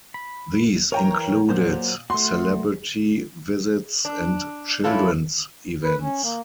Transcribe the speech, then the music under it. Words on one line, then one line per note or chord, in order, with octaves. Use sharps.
These included celebrity visits and children's events.
B5
E3 A#4 C#5 G5 A#5
A#2 F#3 C5
A3 F#4 C6
D4
E3 C#4 E4 F4 A4
B4
C#4
A#3